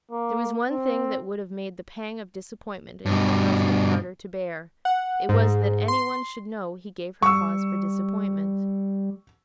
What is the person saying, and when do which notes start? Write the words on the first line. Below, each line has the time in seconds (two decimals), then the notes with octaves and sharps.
There was one thing that would have made the pang of disappointment in her husband harder to bear; it was, that any one should know he gave her cause for disappointment.
0.12 A#3
0.70 C4
3.06 G2 B2
4.85 F#5
5.29 G#2
5.88 C6
7.22 G3 C#6 E6